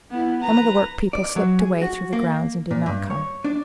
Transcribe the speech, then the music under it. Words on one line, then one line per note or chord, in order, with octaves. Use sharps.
Some of the workpeople slipped away through the grounds and did not come.
B3 E4
B4 A#5
D5
F#3
G#4
F#4
A#3
A#2
G2
C#5
D4